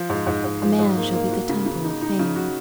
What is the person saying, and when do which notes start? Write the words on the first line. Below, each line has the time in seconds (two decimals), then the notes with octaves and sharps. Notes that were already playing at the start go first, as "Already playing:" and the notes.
A man shall be the Temple of Fame.
Already playing: F3
0.10 G#2
0.27 G#2
0.44 G#2
0.62 F3
0.79 G#2
0.96 A#3
1.14 A#3
1.32 F#4
1.49 C#3
1.66 C#3
1.84 D#4
2.02 D#4
2.19 C#3
2.36 F#4